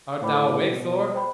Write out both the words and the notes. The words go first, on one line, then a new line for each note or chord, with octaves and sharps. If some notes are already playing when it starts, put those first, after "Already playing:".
Art thou awake, Thor?
A2 C5 G5 B5 D6
B2
C5 G5 B5